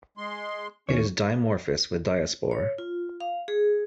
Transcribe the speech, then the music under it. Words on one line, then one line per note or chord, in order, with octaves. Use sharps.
It is dimorphous with diaspore.
G#3 C6
D#2 C#4 C#5
C#5
F4
F5
G#4